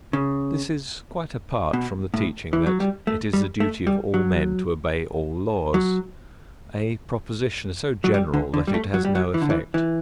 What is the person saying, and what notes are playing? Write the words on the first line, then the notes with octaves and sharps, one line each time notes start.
This is quite apart from the teaching that it is the duty of all men to obey all laws, a proposition so general that it has no effect.
C#3
B2
A2
E3
F#3
G3
A3
G3
A3
G3
F#3
F#3
F#3
G3
D3
D3
G3
A3
F#3
G3
F#3
E3
D3
E3
E3